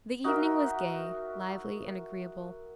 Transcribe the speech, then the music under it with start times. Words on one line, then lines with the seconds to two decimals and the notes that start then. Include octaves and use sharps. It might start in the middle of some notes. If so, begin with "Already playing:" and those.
The evening was gay, lively and agreeable.
0.24 D#4 F#4 A#4 E5